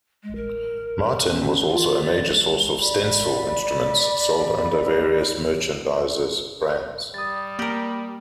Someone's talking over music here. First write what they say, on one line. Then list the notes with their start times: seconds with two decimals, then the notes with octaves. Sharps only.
Martin was also a major source of "stencil" instruments sold under various merchandisers' brands.
0.22 G#3
0.35 A#4
1.26 C#4
1.68 F4
2.03 D5
2.29 G#3
2.80 D5 B5
7.14 G3 D#6 A6
7.59 A#3 G4 A#4 F#7